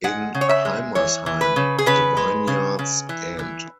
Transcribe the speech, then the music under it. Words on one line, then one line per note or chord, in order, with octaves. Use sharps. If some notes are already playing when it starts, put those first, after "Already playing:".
In Heimersheim, the vineyards end.
G#3 F#5
C#3
C#5
E5
G#3
E3 C#5
E3
B4
C#3
G#4
C#3 B4
G#3
C#3
C#3
E3
E3